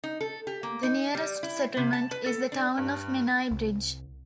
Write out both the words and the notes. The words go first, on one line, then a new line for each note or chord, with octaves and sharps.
The nearest settlement is the town of Menai Bridge.
D#4
A4
G4
A#3
D#4
G3
E4
C3
A5
B4
A4
D4
G2
C2